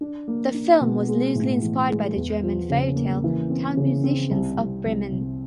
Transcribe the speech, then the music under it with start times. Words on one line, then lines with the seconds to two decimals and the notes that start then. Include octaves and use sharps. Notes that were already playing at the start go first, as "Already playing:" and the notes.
The film was loosely inspired by the German fairy tale "Town Musicians of Bremen".
0.01 D4
0.28 A#3
0.54 D4
0.81 B2
1.08 G#3
1.35 A2
1.62 E3
1.89 G#3
2.16 E2
2.43 F3
2.70 C#3
2.96 A#3
3.24 E3
3.50 C4
3.77 C#3
4.04 C4
4.31 C2
4.58 C2
4.85 C2
5.12 C3